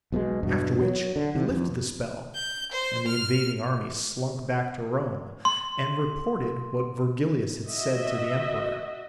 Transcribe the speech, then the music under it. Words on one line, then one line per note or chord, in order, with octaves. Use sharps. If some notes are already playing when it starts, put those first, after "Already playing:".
After which he lifted the spell, and the invading army slunk back to Rome, and reported what Virgilius had said to the emperor.
B1 B2 F#3 G#3
E2 G2 B2
F#3
D3
C3
F2
G6
C5
F6
C6
F#4 D#5 E5